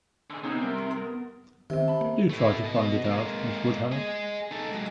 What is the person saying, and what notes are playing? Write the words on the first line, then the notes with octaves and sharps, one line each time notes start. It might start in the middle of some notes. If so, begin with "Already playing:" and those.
Do try to find it out, Miss Woodhouse.
D3 G#4
C3 B3 C#4 D#4
G3 A#4 E5
B3 A#4
C3 D#3 C4
A5 B5
A#3
A3 E4
B2 D#5
G#3 A#3
G#4 D#5
D#4 A4
F#3 G#3